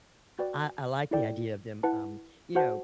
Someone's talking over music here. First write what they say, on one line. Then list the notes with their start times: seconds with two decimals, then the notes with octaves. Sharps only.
I I like the idea of them, um, you know,
0.39 F#4 B4 D5 G5
1.11 E4 A4 D5 G5
1.83 E4 B4 F#5 A5
2.55 F#4 C5 F#5 A5